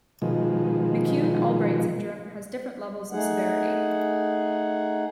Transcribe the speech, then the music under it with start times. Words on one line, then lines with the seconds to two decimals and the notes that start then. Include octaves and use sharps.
McCune-Albright syndrome has different levels of severity.
0.22 B2 D#3 F3 G#3
3.12 A3 D#4 G#4 F#5